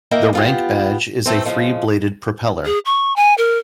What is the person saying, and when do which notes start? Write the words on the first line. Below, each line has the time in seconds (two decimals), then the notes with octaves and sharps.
The rank badge is a three-bladed propeller.
0.11 A#3 E4 A#4 D#5 G5
0.33 B3 F4 G4
1.26 E3 A3 C4
1.45 C#3 F3 G#3
2.65 G#4
2.86 C#6
3.16 G#5
3.38 A#4